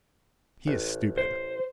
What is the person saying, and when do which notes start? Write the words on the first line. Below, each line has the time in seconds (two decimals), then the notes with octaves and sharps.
He is stupid.
0.68 A1
1.18 C5